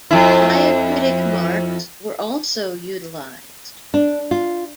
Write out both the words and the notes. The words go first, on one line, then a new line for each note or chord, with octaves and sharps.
Diacritic marks were also utilized.
F2 E4
D4
F4